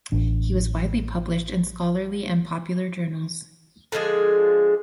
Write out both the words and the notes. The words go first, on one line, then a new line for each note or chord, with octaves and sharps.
He was widely published in scholarly and popular journals.
A1 D4
D3 F3 G#3 G#4